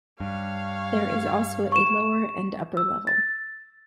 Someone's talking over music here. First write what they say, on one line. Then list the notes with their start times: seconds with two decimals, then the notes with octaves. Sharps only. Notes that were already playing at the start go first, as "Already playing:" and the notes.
There is also a lower and upper level.
0.20 G2 C#5 F5
1.72 C#6 E7
2.77 E6
3.07 A6